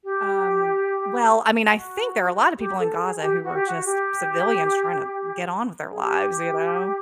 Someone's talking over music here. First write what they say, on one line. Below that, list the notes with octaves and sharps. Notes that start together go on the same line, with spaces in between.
Um, well, I mean, I think there are a lot of people in Gaza who are just civilians trying to get on with their lives, you know?
G4
F#4
G4
A4
G#4
G#4
G4
F#4
G4
F#4
G4
G#4
G4